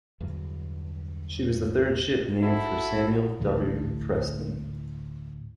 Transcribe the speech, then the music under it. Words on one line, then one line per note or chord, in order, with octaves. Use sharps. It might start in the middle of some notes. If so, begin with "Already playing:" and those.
She was the third ship named for Samuel W. Preston.
E2 G2 D3 F#3
E4 F#4 A4
D2 A2 E3